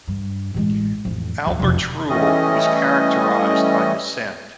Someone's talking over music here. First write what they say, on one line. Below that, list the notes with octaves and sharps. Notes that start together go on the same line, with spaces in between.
Albert's rule was characterised by dissent.
G2
A1 G#3
A1 F2
F#1 D#2
F1 F3
E3 G3 A3 C#4 D#5